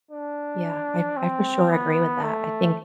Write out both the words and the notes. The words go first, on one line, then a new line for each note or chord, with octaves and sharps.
Yeah. I I for sure agree with that. I think
D4
C4
B3
A3